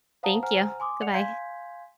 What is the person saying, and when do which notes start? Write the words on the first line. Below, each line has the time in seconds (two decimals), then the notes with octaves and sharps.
Thank you. Goodbye.
0.23 C5 F5 F#5 A5 A#5 D#6
0.43 C5 F#5 G#5 A#5 F6
0.80 G#5 C6 D6 D#6
1.02 D5 F#5 C#7 F7
1.14 F5 G#5 C6 G6 G#6 B6